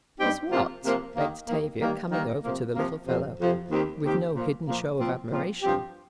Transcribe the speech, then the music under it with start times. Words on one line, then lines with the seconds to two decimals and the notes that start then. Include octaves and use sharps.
"Is what?" begged Tavia, coming over to the little fellow, with no hidden show of admiration.
0.20 G2 G3 C4 D#4 G4
0.51 C3 F3 A#3 F4
0.84 C3 F3 A#3 F4
1.15 D#2 D#3 A#3
1.48 D#2 D#3 A#3
1.80 D#3 G3 A#3
2.11 D#3 G3 A#3
2.43 C3 F3 A#3
2.75 C3 F3 A#3
3.07 F2 C3 F3
3.39 F2 C3 F3
3.71 D#2 D#3 C4 G4
4.03 D#2 D#3 C4 G4
4.35 A#2 F3 A#3
4.68 A#2 F3 A#3
4.99 A#2 F3 C4 F4
5.31 A#2 F3 C4 F4
5.63 G2 F3 C4 G4